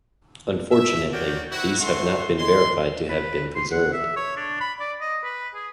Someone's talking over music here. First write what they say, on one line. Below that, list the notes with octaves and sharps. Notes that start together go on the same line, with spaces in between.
Unfortunately, these have not been verified to have been preserved.
E5
F#4 A#4 C#5 D5 G5
C4 E4 F#4
A3 F#4 C6
G#3 C6
B4
C6
F#5
E5
C#5
D4
B5
D5
D#5
B4
G#4